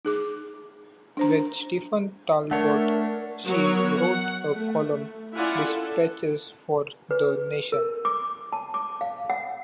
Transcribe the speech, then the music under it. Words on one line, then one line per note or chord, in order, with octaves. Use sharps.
With Stephen Talbot she wrote a column, Dispatches, for The Nation.
D#4 G#4 D6
D4 C5 A#5
A3 D4 A#4 C#5 F#5 C#6
F#3 B3 F#4 A#4 C#5
F#5
A3
C#4 E4 F4 D5 F#5 G#5
A4
B4
A#4
D6
A5
D6
F5
F#5